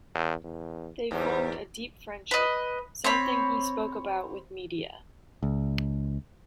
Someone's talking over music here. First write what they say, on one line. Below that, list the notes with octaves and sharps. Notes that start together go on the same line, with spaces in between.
They formed a deep friendship, something he spoke about with media.
E2
E2
E2 G#2 F#3 G3
B4 D#5
C4 C#5 B5
C#2